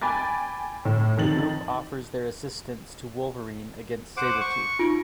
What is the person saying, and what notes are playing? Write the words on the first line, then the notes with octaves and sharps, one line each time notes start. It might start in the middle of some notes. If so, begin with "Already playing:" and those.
The group offers their assistance to Wolverine against Sabretooth.
G5 G#5 B5 D6 A6
A2
F2 D#3 A6 F#7
C5 F#5 D6
C#6
D#4 F4 D7